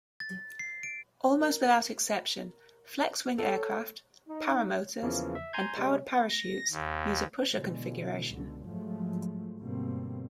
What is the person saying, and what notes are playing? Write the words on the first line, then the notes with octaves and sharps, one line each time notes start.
Almost without exception flexwing aircraft, paramotors and powered parachutes use a pusher configuration.
A6
C7
D7
A#4
A4 C#5
D#4
E2 C#3 E3 F3 A#3
E5
G#5 A#5 C6 G6 G#6
C3 G3 G#3
A#6
D#2
B2 D3 E3 G#3
C#2 B2 D3
G#2 F3 F#3 G#3 A3
G2 B2 D3 G3 A#3 C4